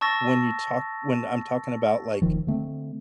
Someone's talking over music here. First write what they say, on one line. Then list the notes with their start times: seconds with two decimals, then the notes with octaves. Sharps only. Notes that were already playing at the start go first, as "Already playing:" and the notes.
when you talk when I'm talking about, like,
0.01 A5 C#6 E6 A6 A#6
2.22 D#1 D#3 F3
2.47 D3 A3 C4